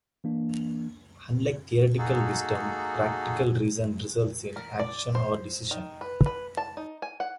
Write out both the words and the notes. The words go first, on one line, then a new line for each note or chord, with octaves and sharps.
Unlike theoretical wisdom, practical reason results in action or decision.
E3 A#3 D4
A#3 D#4 F#4 G#4 A4
A#4
D5
C5
D#3
B4
B4
A5
D#4
G#5
F#5